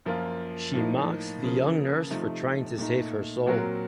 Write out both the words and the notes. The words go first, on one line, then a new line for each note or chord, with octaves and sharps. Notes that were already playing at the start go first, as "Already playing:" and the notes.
She mocks the young nurse for trying to save her soul.
F#2 F3 A#3 F4
A2 F3 A#3 D#4
C#3 F3 A#3
C3 F3 A3 D#4
A#2 A3 D#4
A#2 F#3 C4 F#4 A#4